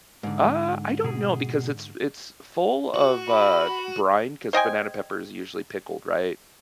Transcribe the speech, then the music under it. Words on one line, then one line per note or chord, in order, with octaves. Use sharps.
Uh, I don't know because it's it's full of, uh, brine 'cause banana pepper is usually pickled, right?
G#2 D3
B2 G#4
F#4
B5
C5 D#5 G5 G#5